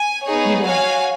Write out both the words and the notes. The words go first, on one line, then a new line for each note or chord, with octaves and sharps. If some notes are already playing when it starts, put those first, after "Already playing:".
You know
Already playing: G#5
B3 D#4 G#4 C#5
F#4 C#5 F5 G#5